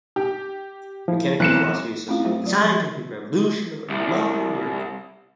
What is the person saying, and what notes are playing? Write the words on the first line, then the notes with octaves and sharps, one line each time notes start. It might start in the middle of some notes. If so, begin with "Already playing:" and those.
Mechanical philosophy is associated with the scientific revolution of Early Modern Europe.
G4
F3 E4
B1 E3 C4 F#6 C#7 E7
A3 C4 C#4 E4 F4 F5
F#3 A3 F4 C5
F#3 F4 D5
F3
C2